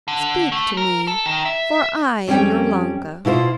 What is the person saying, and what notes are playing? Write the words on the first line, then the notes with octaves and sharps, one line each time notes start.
Speak to me, for I am your Ilonka.'
D3
A3
A#4
A4
D#3
E5
F2 G3 C#4 G5
B2 E4 F4 B4 C5